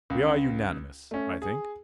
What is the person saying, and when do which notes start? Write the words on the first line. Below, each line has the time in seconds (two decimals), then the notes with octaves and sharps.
We are unanimous, I think.
0.10 C#2
1.11 A3 C#4
1.42 G#4